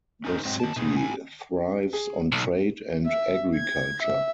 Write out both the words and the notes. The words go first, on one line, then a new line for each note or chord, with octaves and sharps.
The city thrives on trade and agriculture.
C#4 D#4 A#4 C5
G#2 F#3 C4 D#5
D#3 A5
B2 D#4 G#4
A2 G#5
G#4
B1 C#7
E5
G#6
E5